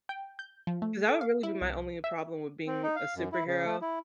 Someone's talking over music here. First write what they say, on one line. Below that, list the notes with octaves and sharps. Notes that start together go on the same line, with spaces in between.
'Cause that would really be my only problem with being a superhero
G5
G6
F3
A3
A4
F5
E4
C2
E5
C4
D#4
F5
F#2
E4
C#3
A3
E4